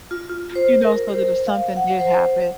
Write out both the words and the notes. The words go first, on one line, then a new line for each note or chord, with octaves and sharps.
you know, so that if something did happen
F4
F4
C5
A#4
C5
F5
F#5
C5